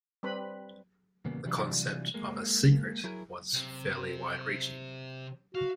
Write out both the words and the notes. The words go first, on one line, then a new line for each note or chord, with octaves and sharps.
The concept of a "secret" was fairly wide reaching.
G3 C4 B4 B5
E2 A#2 C#3 G3 A#3 B3
C3 E3 F#3 G3 D4 F4
G#3 A#3
F#3 E4 G#4 A#4
C3
F#4 F5